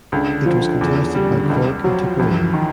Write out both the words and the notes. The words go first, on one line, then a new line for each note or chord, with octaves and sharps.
It was contested by Cork and Tipperary.
C#2 D3
F3
E2 C#3
C#3 G3
C#2 D#3
F3 F#3
C#2 E3
D#3